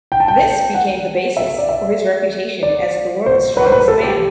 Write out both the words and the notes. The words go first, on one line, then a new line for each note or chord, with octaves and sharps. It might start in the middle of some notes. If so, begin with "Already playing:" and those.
This became the basis for his reputation as the "World's Strongest Man".
G5
A5
G5
F#5
E5
D5
E5
D5
C5
B4
C5
B4
A4
G4